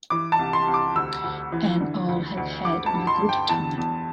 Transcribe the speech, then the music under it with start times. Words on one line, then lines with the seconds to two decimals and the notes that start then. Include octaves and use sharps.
And I'll have had my good time.
0.10 E3 D6
0.32 A5
0.39 C2
0.53 C6
0.68 C2
0.74 D6
0.95 D2 E6
1.24 D2
1.52 E3
1.80 D3
2.08 D2
2.37 D2
2.65 G2 D6
2.86 A5
2.94 G2
3.07 C6
3.22 G2
3.29 G5
3.49 E2 A5
3.77 E2